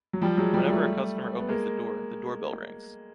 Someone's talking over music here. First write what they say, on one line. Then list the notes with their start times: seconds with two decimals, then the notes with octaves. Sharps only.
Whenever a customer opens the door, the doorbell rings.
0.13 F#3
0.22 F3 G3
0.38 F#3 G#3
0.53 F3 G3
0.70 G3 A3
1.40 B3
1.48 G#3 A#3